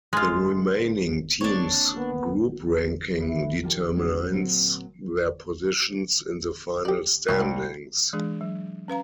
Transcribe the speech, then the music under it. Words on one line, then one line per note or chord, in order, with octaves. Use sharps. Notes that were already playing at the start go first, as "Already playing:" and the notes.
The remaining teams' group ranking determines their positions in the final standings.
G#3 F4
A#3 C4 D4 C#5
A#3 B3
E3 B4 E5
D#3 F3 F4 G4 A#4 A5
G#3 C#4 D4 F#4 C5
A#2 F#3 C4
D4 G4
C2 C#4 C#5
G#2
E3 G#3 D4 G#4
F#3
C#4 B4 F5 A#5